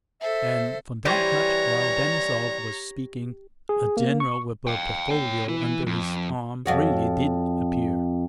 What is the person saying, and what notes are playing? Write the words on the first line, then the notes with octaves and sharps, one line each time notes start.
And from that hut, while Denisov was speaking, a general with a portfolio under his arm really did appear.
A4 C5 E5
E3 G3 C4 G4 C#5 A#5
G#4
A#3
C#6
F5 G5
C#5 G5
E3 E4
F2
F2 F#4 C#5